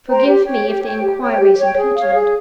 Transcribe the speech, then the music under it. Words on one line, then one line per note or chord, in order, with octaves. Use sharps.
Forgive me if the inquiry is impertinent.
C5 G5 A#5
G4
C#5 G5
G4
C#5 G5
G4
C#5 G5
G4
C#5 G5
G#4
C#5 F5
G#4